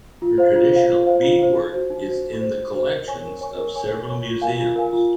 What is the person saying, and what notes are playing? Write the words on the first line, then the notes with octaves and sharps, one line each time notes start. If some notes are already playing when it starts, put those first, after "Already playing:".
Her traditional beadwork is in the collections of several museums.
F4
C5 F5
F4
C5 F5
F4
C5 F5
F4
C5 F5
D#4
F#4 C5
D#4
F#4 C5
D#4
F#4 C5
D#4
F#4 C5
A#4
C#5 G#5 C#6
A#4
C#5 G#5 C#6
A#4
C#5 G#5 C#6
A#4
C#5 G#5 C#6
F4
A#4 F5 G#5
F4
A#4 F5 G#5
F4